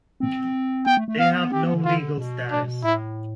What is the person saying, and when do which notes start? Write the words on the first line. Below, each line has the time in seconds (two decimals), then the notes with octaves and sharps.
They have no legal status.
0.20 C4
0.86 B3 G5
0.97 A3
1.08 A3
1.19 B3 F5
1.52 C4 G4
1.64 B3
1.74 D3
1.85 D3 F4
2.18 B2
2.51 D4
2.84 A2 E4